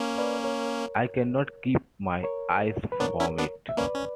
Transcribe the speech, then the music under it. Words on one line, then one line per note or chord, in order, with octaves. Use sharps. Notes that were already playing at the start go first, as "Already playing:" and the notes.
I cannot keep my eyes from it.
Already playing: A#3 C#4
B4 D5
A#4 C#5
A#4 C#5
B4
B3 D4 A#4 C#5
C#4 E4
B3 D4
E5
A#3 C#4 B4 D5
C#4